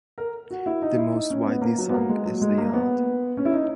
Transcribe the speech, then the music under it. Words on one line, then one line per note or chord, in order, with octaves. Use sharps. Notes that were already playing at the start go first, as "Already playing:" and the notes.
The most widely sung is "The Yard".
A#4
F#4
E4
D#4
E4
D#4
C#4
B3
A#3
F#3
B3
A#3
G#3
F#3
G#3
A#3
B3
C#4
E4
D#4